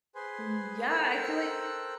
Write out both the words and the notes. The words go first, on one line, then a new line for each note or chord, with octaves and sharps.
Mm, yeah, I feel like
G#4 B4 C5 G#5 C6
A4 A#4 C5 G5 E6 F#6